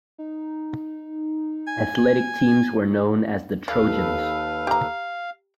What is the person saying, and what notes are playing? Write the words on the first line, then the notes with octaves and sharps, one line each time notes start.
Athletic teams were known as the Trojans.
D#4
G#5
D#2 A4 B4 D5 F5
G4 A#5